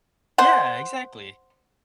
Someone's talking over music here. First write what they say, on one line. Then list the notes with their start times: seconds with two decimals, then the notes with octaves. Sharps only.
Yeah, exactly.
0.38 C5 F#5